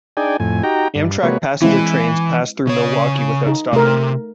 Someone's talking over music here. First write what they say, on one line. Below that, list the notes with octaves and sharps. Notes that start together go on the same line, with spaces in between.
Amtrak passenger trains pass through Milwaukie without stopping.
D4 D#4 G#4 D5 G5 G#5
F2 A2 G#5
D#4 F#4 G4 G5 A#5
G2
C3 G#3 A#3 F#4 B4 C#5
E3 G#3 C4 E4
C#3 C#5
D#4
C3 A3 A#4